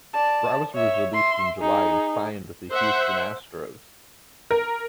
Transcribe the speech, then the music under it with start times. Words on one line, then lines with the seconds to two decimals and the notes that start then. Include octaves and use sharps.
Brower was released in July and signed with the Houston Astros.
0.14 D5 A5
0.75 C#5 E5
1.12 E5 C6
1.58 D#4 G#4
2.72 C5 E5 F#5
4.51 A#4